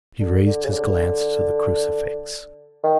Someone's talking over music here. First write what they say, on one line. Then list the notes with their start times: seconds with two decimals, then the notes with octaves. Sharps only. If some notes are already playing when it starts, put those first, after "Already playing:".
He raised his glance to the crucifix.
0.20 D3
0.46 D3
0.65 C#3
0.72 D3
2.83 D#3